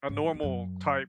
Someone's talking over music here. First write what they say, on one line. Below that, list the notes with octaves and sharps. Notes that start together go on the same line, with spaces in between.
a normal type,
G#2
F#2
E2
F#2